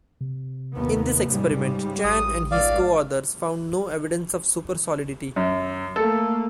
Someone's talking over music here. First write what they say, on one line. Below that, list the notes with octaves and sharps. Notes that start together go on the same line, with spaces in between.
In this experiment, Chan and his coauthors found no evidence of supersolidity.
C3
D#2 B3
G#2 C#3 G3
A1 D#6
C#2 G#2 D5 F5
F#2
A3 A#3 A4